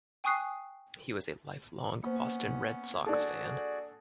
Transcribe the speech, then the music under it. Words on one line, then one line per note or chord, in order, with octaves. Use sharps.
He was a lifelong Boston Red Sox fan.
G5 G#5 C#6 D#6 F#6 C7
A#3 B3 C#4 C5
E4
D4 F#4 G#4 A4 D5